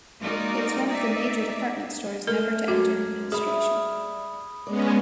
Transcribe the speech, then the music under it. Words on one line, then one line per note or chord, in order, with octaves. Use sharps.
Its One Of The Major Department Stores Never To Enter Administration.
G#3 A#3 D#4 F#4 A#4 D5
D#4 D5 E5
A3 A#4 F6
F#2 F#4 G#6
G3 G#4 E5 B5 D#6
G#3 B3 C#4 D5